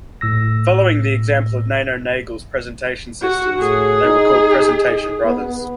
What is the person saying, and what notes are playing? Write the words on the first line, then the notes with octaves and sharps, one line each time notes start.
Following the example of Nano Nagle's Presentation Sisters, they were called "Presentation Brothers".
A2 E6 A#6
F#4
A2 G#4
D#4
B3